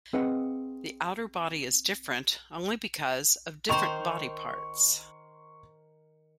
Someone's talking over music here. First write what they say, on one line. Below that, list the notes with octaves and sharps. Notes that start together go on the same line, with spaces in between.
The outer body is different only because of different body parts.
C4 G#4 B4 D#5 F5 F#5
D#3 C5 C6 C#6 F7